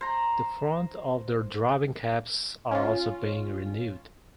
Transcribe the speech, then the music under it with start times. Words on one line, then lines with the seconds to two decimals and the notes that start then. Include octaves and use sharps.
The front of the driving cabs are also being renewed.
0.01 C5 A#5
2.71 C#4 F4